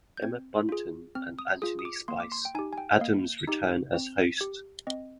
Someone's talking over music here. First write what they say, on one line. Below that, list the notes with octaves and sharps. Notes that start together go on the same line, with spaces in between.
Emma Bunton and Anthony "Spice" Adams return as hosts.
G6
C4 G#6
F4 G#4
C4 F6
D#6
F4 G#4 D#6
D#6
D6
A#3 C6
D6
C6
G5
D#4 G4 G#5
G#5
G5
D#5
A#3 F5
D#4 G4
C4
G4
C4 D#5